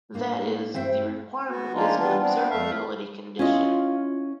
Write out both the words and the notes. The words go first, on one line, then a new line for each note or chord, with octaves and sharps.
That is, the requirement is an observability condition.
A2 A#3 D4
G2 C4 C5 E5 G5
B3 F#4
F3 G#3 A#3 D4 D#4 F4
E3 G3 B3 D4 F4
B3 C4 D4
F2 A3 E5 F5
C#4 E4 F4 D#5